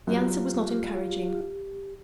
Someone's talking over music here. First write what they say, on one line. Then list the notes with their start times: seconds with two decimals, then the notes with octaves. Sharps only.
The answer was not encouraging.
0.07 F#2 F4 G4